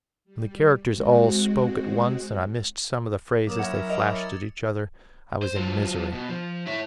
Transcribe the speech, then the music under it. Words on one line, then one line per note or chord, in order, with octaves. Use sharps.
When the characters all spoke at once and I missed some of the phrases they flashed at each other, I was in misery.
G3
G#3 C4 F#4
F#3 A#3 D6 D#6 E7
C#4 E4 A#4 F#5 G#6 C#7
D#5 E6 D7 F7
A6 C#7
C5
F#3 F4
B2
F3
E4 C#5